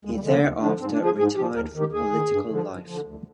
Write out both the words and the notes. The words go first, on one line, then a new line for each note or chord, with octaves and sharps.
He thereafter retired from political life.
D#2 G#3
G3
D3 F3 G#3
A#3
D#2 C4
D3 F3 D4
G#2 C4
D4
F3
G#4
G#2 G#4
F3 G4
D#2 A#4
D#3
G4
D#2 G#4
D#3
G2
D3 F3
G2
D3 F3
D2